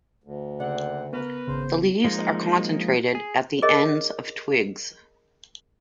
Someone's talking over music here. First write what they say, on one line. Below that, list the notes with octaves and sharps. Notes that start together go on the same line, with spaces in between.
The leaves are concentrated at the ends of twigs.
D2
C#3 A#3 C4 D5 F#5
B3 A#4 B4
G#1 C#3 C5
F3 G#3 A#3 D#4
G#4
G#4 A#4 C#5 D#5